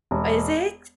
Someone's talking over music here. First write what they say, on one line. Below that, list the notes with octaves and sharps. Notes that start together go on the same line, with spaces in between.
Is it?
E1